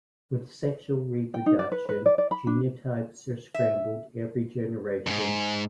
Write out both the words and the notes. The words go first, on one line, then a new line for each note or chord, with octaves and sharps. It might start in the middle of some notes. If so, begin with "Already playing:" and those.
With sexual reproduction, genotypes are scrambled every generation.
G5
D#4
D5
B4
B4
D5
D5
B5
D4
E5
F2 G#2